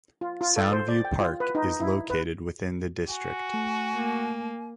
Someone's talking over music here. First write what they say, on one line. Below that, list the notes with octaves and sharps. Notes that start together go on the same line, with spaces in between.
Soundview Park is located within the district.
F4
F4
A4
C5
D5
G5
F4
B4
D#4
E4
B4
F#4 G#5
A3
A#3